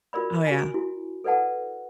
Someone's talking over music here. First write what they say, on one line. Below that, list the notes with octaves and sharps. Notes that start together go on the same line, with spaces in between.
Oh, yeah.
F4 F#4 A#4 D5 B5
F#4 G#5
E4 F#4
A4 B4 D5 F#5 A5